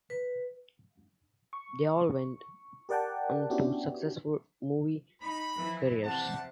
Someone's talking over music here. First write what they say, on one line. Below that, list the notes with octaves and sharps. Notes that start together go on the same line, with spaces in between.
They all went on to successful movie careers.
B4
C#6
G4 A#4 D5 F#5 G5 A5
B3 C#4 D4 E4 F#4 G4
D#4 B5
E3 F3 E4
C3 G3 F#5 A5